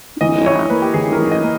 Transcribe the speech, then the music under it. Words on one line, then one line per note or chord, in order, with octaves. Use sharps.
Yeah. Yeah.
E3 D#5
E4 C#5
A#3 B4
G4
E3 G#4
A#4
E3
D#5
A#3